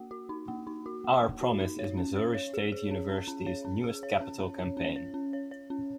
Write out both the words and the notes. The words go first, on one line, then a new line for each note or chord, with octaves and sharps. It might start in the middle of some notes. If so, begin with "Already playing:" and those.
OurPromise is Missouri State University's newest capital campaign.
Already playing: A#3 F#4
F#4
D#4
A#3
D#4
F#4
A#3
A#3
F#4
D#4
C#5
C#4
C#5
C#5
G#4
G#4
C#4
C#4
C#4
C#5
C#4
G#4
C#5
C#4
C#4
C#4
C#4
C#5
C#4
C#5
C#5
C#4